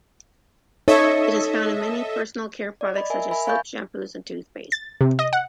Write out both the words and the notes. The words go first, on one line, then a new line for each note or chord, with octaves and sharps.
It is found in many personal care products such as soaps, shampoos, and toothpaste.
D#4 A4 C#5 D#5 E5
D5
D#5 B5
A#4 E5 G#5
A#4 E5 G#5 B5
F5 G#5 B5 C#6 G6 A6
A6
C3
D#5
F#5